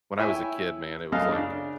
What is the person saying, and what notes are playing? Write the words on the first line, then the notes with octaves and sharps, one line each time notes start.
when I was a kid, man, it was, like,
E4 C#5 E5 G5 G#5
F#2 A4 D#5 F5 F6
C#3 D4